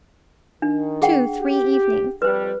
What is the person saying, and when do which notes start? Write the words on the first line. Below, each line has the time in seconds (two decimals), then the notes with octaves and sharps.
'Two--three evenings.
0.62 D#3 D4
1.02 G#4 F#5 G5
1.39 G4
2.22 F2 G3 B4 C5